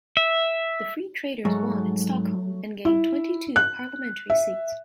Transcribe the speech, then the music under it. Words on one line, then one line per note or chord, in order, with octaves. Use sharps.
The Free Traders won in Stockholm and gained twenty-two parliamentary seats.
E5
G#2 F#3 A3
E4
F#6
E5